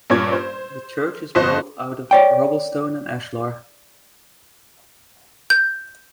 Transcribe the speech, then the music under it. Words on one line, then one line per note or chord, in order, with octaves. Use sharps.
The church is built out of rubble stone and ashlar.
G2 A#2 C#4 D6 G#6
C5
G1 F2 C5 D#5 F#6
C#5 D5 G5
G6